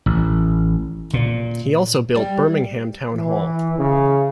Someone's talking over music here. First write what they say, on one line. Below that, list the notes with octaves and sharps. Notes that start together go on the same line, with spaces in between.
He also built Birmingham Town Hall.
A1
A#2
G3
E3
C#3